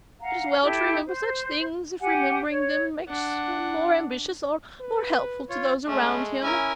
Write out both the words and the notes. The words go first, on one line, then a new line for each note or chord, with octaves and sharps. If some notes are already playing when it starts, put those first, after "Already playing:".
It is well to remember such things, if remembering them makes one more ambitious or more helpful to those around him.
F5 F#5 A#5
E4 G4 A4
C5
G4 F#5 G#5
C#5
D4 F#5
B4
F4 C#5
G#3 A3 C#4
C#4 E4 A#4 G#5